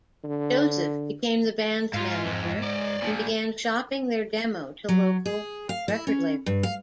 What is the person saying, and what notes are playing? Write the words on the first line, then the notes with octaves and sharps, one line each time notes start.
Joseph became the band's manager and began shopping their demo to local record labels.
D3
G#2 F4 F5
F2
D5 D#5
A#2 F3
F#3
G#4
F5
E4
C#4
G2
F5